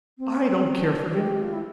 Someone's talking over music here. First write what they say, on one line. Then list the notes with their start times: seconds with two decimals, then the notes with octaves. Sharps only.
I don't care for him!
0.18 C4
0.80 D4
1.11 G4
1.41 F4
1.52 E4